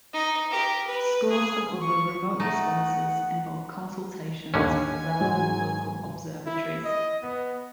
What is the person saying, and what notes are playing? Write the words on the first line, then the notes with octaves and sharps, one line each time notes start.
Scores of other remote responses involve consultations with the relevant local observatories.
D#4
G4 A#4
B4
G#4
C#6
A3 D#4 F#5
D#2 D3 C#4 G#5
G#2 F#3 G#3
E4
D#5
B3